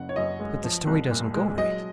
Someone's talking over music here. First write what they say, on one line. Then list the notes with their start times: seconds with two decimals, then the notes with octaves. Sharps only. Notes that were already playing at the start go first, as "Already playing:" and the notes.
But the story doesn't go right.
Already playing: F#1 C#3 F#5
0.09 C#5
0.16 F#2 D#5
0.39 G#3
0.64 F3
0.87 C2
1.11 A#2
1.34 G#3
1.57 F#3 D#5